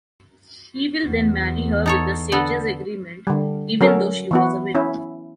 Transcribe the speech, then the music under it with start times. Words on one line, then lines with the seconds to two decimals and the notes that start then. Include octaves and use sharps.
He will then marry her with the Sages’ agreement, even though she was a widow.
1.05 E2
1.86 D#4 A4 C#5
2.32 D3 B3 A4
3.27 D3 G3
3.81 F#3 C#4 A4 A#4
4.31 E3 B3 F#4
4.75 C#4 E4